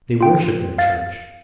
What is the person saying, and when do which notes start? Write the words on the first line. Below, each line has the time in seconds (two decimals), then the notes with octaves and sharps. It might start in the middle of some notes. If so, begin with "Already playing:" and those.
They worship their church.
0.21 F4 G5
0.78 F5 A6